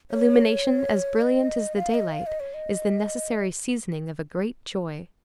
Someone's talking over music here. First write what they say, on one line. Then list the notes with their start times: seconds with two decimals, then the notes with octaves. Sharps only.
Illumination as brilliant as the daylight is the necessary seasoning of a great joy.
0.11 C#5
1.21 D#5
1.76 F5
1.94 D#5
2.12 F5
2.27 D#5
2.40 C#5
2.54 D#5